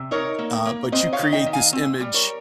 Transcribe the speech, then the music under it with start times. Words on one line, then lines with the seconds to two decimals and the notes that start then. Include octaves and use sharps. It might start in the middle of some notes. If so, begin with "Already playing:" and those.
uh, but you create this image
Already playing: C3
0.11 D#4 A#4 C#5
0.38 A#3
0.66 A#3
0.92 C4 C5 D#5
1.13 C#5 F5
1.19 D#3
1.32 D#5 G5
1.46 D#3
1.53 F5 G#5
1.73 C4
2.00 G3
2.14 A#4 C#5